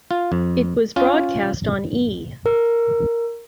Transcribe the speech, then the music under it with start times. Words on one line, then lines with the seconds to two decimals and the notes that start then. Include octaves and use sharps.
It was broadcast on E!
0.11 F4
0.32 F2
0.96 C#4 F4
2.46 A#4